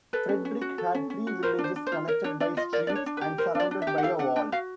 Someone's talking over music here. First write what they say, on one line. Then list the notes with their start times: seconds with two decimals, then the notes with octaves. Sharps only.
Frederick had three villages connected by streets and surrounded by a wall.
0.13 A4 B4
0.29 C#4
0.45 C#4
0.61 F#4
0.78 A4
0.95 C#4
1.10 C#4
1.27 F#4
1.43 A#4 C5
1.59 D4
1.64 C5
1.76 D4
1.87 C5
1.92 F4
2.08 A#4 C#5
2.24 D4 C#5
2.40 D4 D5
2.57 F4 D#5
2.73 A#4 D5
2.87 D4 D5
2.95 C#5
3.06 D4
3.17 B4
3.21 G4
3.38 A#4 C5
3.55 D4 D5
3.71 D4
3.82 E5
3.87 G4
3.98 F#5
4.03 A4 F5
4.19 D4 F#5
4.36 D4 G5
4.52 F#4 F5